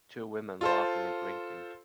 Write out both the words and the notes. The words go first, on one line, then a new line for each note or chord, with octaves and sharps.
Two women laughing and drinking.
F4 A4 C5